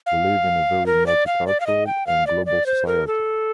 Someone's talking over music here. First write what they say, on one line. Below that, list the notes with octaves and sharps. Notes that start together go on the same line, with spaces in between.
We live in a very multicultural and global society.
F5
A#4
D5
F5
D5
F5
D#5
G5
F5
D5
D5
C5
A#4
A4